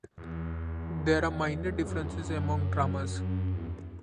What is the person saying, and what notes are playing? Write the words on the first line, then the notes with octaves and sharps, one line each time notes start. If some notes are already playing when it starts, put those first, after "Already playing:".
There are minor differences among dramas.
E2
F#2
E2
F#2
E2